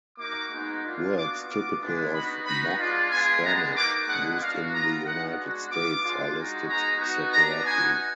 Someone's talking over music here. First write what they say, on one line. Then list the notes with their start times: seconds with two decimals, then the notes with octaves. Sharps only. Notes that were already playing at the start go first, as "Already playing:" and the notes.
Words typical of "Mock Spanish" used in the United States are listed separately.
0.18 A#3 D#4 F#4 D6
0.50 G#3 B3 D#4 F#4
0.83 A#3 D4 F4
1.15 B3 D4 F#4 D6
1.48 B3 F4 D6
1.80 G#3 B3 D4
2.13 B3 D#4 F#4 B5
2.45 B3 D#4 F#4 B5
2.78 G#3 D4 F4
3.10 G#3 B3 F4 G#5
3.42 G#3 B3 D4 F#4 A#5
3.75 A#3 D#4 F#4 D6
4.07 G#3 B3 D4 F#5
4.39 B3 D4 F#4 F5
4.72 B3 F4 A#5
5.04 B3 D#4 F#4 F#5
5.37 G#3 D4 F#4
5.69 B3 F4 D6
6.02 G#3 D4 F4
6.34 G#3 D#4 F#4
6.67 G#3 B3 D#4 F#4 A#5
6.99 B3 D#4 F#4
7.31 B3 D4 F#4 A#5
7.64 B3 D#4 F#4 G#5